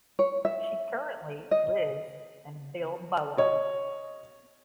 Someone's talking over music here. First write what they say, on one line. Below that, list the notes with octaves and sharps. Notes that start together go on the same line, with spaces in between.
She currently lives in Bilbao.
C#5
E5
D#5
C#5 D#5